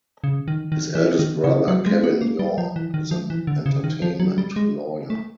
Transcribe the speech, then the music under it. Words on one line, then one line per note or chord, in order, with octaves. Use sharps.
His eldest brother Kevin Yorn is an entertainment lawyer.
C#3
D#3
D#3
E3
D#3
C#3
F#3
G#3
B3
A#3
G3
F3
E3
D#3
F3
E3
D3
C#3
D#3
F3
F#3
G3
G#3
A3